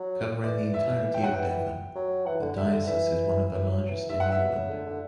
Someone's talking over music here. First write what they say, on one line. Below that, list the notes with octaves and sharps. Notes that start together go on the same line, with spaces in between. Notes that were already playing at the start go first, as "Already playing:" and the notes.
Covering the entirety of Devon, the diocese is one of the largest in England.
Already playing: F#3
E3 D5
E3
E5
E3
E3
G5
F#3 F#5
E3 G5
E3
F#3
E3 F#5
D3
D3 E5
D3
E3 E5
E3
F#3
E3
G2 E5
G2 F#5
E5
B2
C#3
D3
D3